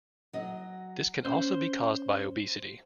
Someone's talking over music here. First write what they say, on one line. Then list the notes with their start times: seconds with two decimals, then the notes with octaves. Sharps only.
This can also be caused by obesity.
0.33 F#3 D#5
1.25 C#4 C5